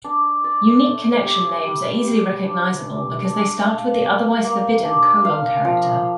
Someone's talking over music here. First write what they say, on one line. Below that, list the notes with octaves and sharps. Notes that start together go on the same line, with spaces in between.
Unique connection names are easily recognizable because they start with the-otherwise forbidden-colon character.
D4
D5
A3
G4
G3
G4
D4
D4
D4
F5
A#3
A#3
D4
F5
F3